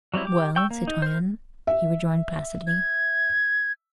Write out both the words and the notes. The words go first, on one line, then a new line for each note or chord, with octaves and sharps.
"Well, citoyenne?" he rejoined placidly.
F#3 G3 C4 E4
G4 D6
G5 C#6 E6
A#3
D#4
A#4 C5
E5
G#6